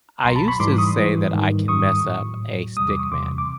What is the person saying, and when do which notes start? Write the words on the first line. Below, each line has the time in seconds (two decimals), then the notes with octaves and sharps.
I used to say that I can mess up a stick man
0.24 C2 B2 F#3 A#5 C6
0.36 A5 B5
0.48 B5 C#6
0.59 G#2 E3 G3 C6 D6
0.78 C#6 D#6
0.97 G#2 E3 G3
1.33 G#2 D#3 G3
1.68 G#2 D#3 G3 C#6 D#6
2.04 A2 F#3
2.40 A2 F#3
2.77 E2 C3 E3 G3 D#6
2.89 D6
2.99 C#6
3.12 E2 C3 E3 G3 C6 D6
3.38 D6